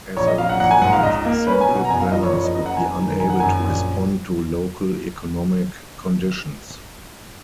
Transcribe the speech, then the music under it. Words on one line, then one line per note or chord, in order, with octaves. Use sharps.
As a result, central planners would be unable to respond to local economic conditions.
A#1 C#5
D#5
F#3 F5
F#5
A#1 F#5
G#5
G#2 F#5
F5
C#2 D#5
A#3
C#4 B4
G#5
B2
F#5
A#5
F#1 G#5
F5
F3 D#5
C#5
F#1 C#5
D#5
F#2 D#5
F#5
F#1 G#5
D#3
F#1 G#5
F#5
F#2 G#5
A#1